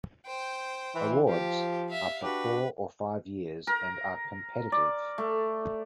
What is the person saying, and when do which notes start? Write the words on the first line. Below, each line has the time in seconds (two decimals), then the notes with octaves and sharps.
Awards are for four or five years and are competitive.
0.26 C5 G5
0.95 E3
1.28 F3 G4
1.89 E5 F5
2.23 D4 F#4 G4 B4
3.67 A#4
4.72 D5
5.18 A3